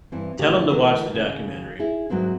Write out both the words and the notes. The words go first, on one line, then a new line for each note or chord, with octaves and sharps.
Tell 'em to watch the documentary.
G2 E3 C4
D#2 A2 C#3 G4
D3 E3 A3 D4 A#4
D#2 C#3
E4 G#4
G#2 F#3 A#3 C4 D4